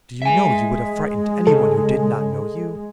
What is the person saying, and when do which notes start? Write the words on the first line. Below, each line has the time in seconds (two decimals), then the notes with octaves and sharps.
Do you know, you would have frightened any one who did not know you?
0.22 G#3 E5 G#5
1.47 C#3 A4